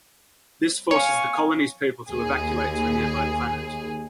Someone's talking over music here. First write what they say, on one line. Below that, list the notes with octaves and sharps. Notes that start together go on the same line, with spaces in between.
This forces the colony's people to evacuate to a nearby planet.
C#5 F5 G#5 C#6
D#2 G#4